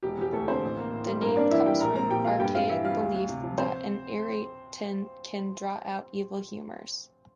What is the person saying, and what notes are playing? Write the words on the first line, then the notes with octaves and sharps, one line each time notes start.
The name comes from archaic belief that an irritant can "draw out" evil humors.
E1 G4
E1 G4
D2 A3 A4
D3 C4 C5
A1
A#3
A2
G3
G2 A#3 A#4
C4 D4 D5
E3 E4 E5
G3 G4 G5
A#1 A#4 A#5
C4 A#4 A#5
A#2 G4 G5
A3 F4 F5
G2 G4 G5
C4 F4 F5
E3 E4 E5
G3 F4 F5
D2
D2
C3
F3
C4 C5